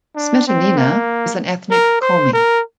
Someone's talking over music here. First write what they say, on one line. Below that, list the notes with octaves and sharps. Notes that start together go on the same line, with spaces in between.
Smetanina is an ethnic Komi.
D4
C4
A#3
A#4
C5
A#4